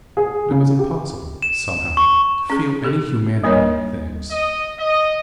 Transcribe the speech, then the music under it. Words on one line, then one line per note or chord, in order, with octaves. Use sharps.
But it was impossible, somehow, to feel any humanity in the things.
G#4
C#3
G4
E7
C#6
C#4 G#4
G4 A4
G3 A#3 D4 A#4 C#5 D#5
D#5
D#5